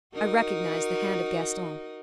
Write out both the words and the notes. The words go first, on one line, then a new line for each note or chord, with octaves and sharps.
I recognised the hand of Gaston.
D#4 F#4 A#4